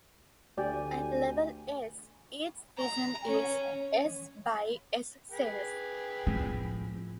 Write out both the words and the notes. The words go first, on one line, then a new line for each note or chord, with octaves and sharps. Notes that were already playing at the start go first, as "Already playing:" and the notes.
At level "s", each region is "s" by "s" cells.
D2 G4 D5 G#5
A#5
C#4
G#4 B4 G5
A2 F3 C4